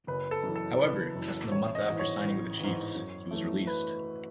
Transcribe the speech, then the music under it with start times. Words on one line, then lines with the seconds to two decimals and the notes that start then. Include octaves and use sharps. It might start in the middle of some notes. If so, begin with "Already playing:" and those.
However, less than a month after signing with the Chiefs, he was released.
0.07 F#1 B4
0.31 A4
0.43 F#2 E3
0.56 A4
0.79 F#1 B4
1.15 F#2 E3
1.52 A1 C#5
1.75 D#5
1.88 G#2 E3
1.99 C#5
2.24 A1
2.60 G#2 E3
2.95 F#2
3.31 E3 A3
3.67 B4